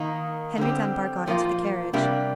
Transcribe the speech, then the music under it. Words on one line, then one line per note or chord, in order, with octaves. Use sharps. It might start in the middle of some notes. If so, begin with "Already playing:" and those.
Henry Dunbar got into the carriage.
Already playing: D#3 A#3 D#4
D3 G3 C4 G4
A#2 F3 A#3 F4
C3 G3 A#3 D4 G4